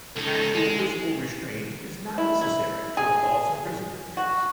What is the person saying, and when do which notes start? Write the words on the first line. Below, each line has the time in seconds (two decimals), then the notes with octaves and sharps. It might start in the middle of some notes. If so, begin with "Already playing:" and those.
Actual physical restraint is not necessary to a false imprisonment case.
0.16 C#2 D#4 A4
0.55 G#3
2.18 E4
2.41 E4
2.97 G#4
4.17 F#4